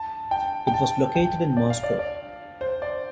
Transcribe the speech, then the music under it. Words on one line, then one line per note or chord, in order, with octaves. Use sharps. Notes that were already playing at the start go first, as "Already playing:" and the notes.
It was located in Moscow.
Already playing: A5
G5
G5
A5
G5
D5
F5
D5
D5
C5
D5